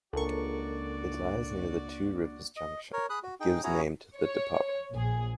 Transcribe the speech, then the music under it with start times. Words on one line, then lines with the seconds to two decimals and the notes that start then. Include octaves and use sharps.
It lies near the two rivers junction that gives name to the department.
0.13 C#2 A#3 D4 F#4 A4 A#4 D5 C#6
2.56 D#5
2.93 A#4 C#5
3.10 G#4 B5 D#6 F#6
3.23 F#4
3.40 D#4 G#4 G5
3.64 C#4 E4 F#4 G#4 C#5 A#5
4.17 C#5
4.92 A#1 G#4